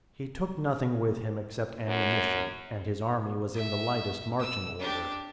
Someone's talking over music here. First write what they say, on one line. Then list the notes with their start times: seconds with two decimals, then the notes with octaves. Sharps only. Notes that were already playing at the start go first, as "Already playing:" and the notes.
He took nothing with him except ammunition, and his army was in the lightest marching order.
1.88 F#2
3.54 E5
4.39 E6
4.79 D4 G4